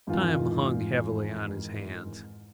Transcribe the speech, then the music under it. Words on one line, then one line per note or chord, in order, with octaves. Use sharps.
Time hung heavily on his hands.
F2 G#2 D#3 E3 F4 G#5